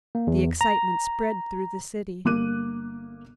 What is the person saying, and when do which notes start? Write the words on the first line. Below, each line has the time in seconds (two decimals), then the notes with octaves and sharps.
The excitement spread through the city.
0.15 A#3
0.27 E2
0.61 A#5
2.25 G1 A#3 D6 F#6 D#7